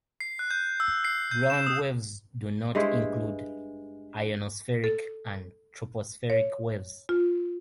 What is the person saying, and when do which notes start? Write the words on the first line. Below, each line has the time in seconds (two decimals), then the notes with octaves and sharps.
Ground waves "do not" include ionospheric and tropospheric waves.
0.20 C7
0.39 F#6
0.51 G6
0.80 E6
1.05 C7
1.31 G6
1.50 E7
1.66 D#6
2.75 G2 G#3 E4 C5
4.84 A4
6.30 C#5
7.09 F4